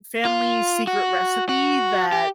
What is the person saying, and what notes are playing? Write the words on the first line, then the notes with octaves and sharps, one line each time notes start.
family secret recipe that
F4
F#4
F#4
G4